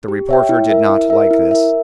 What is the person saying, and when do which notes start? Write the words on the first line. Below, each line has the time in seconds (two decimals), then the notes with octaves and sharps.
The reporter did not like this.
0.08 G4
0.29 C#5 E5 G5
0.49 E4
0.70 A#4 E5
0.90 E4
1.10 A#4 E5
1.31 E4
1.51 A#4 E5